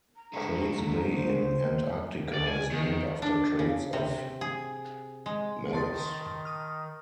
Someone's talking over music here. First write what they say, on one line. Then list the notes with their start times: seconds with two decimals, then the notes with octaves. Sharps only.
Crates Bay in Antarctica is named after Crates of Mallus.
0.16 A#5
0.33 G#3 A3 D4
1.15 C5
2.34 D5
2.47 G#5
2.71 D#3
3.22 D4
3.59 C#3
3.93 C3
4.41 G#4
5.26 G#3
5.73 D#3 A5 C6 A6
6.45 D#6 F6